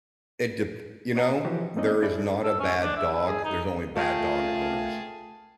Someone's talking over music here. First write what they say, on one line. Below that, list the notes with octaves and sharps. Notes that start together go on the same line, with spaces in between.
It dep you know? There is not a bad dog, there's only bad dog owners.
C#5 D#5 F#5 A5 A#5 D#6
E3 F3 F#4 G4 C5 C#5
A#3 C4 C#4 D#4 D5 D#5
D4 E4 G#4 A4 D5
A4
C#4
D4
E5
E4
G#4
D#4
A3 F4 G#4 A#4 G5 A5